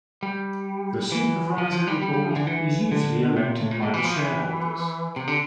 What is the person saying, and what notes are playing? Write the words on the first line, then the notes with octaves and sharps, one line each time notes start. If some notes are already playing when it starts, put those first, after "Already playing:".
The Supervisory board is usually elected by the Shareholders.
G3
E3
F3
F3
G3
G3
G3
F3
E3
D3
E3
D3
C3
A#2
A2
A#2
A2
E3
F3
E3
C3
D3